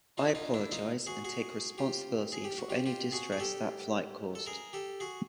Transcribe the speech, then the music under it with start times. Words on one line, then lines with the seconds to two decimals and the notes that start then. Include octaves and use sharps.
I apologize and take responsibility for any distress that flight caused.
0.18 D#4 F4
0.35 D#4 F4
0.54 D4 E4
0.72 D#4 F4
1.07 F#4 G#4
1.24 F#4 G#4
1.78 F4 G4
2.32 G#4
2.44 G4
2.58 F#4
2.70 F4 G4
2.86 F4 G4
3.12 F#4 G#4
3.32 G#4
3.40 G4 A4
4.35 A4
4.46 G#4 A#4
4.73 G4 A4
5.00 F#4 G#4